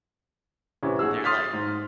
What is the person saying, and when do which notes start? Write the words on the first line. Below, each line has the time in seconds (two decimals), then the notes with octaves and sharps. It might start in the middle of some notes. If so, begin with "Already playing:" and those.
they're like,
0.83 A1 C3 E3 C#4
0.99 A#1 F#4 G#4 E6
1.24 C6 D#6 F6 A6 B6
1.53 G#2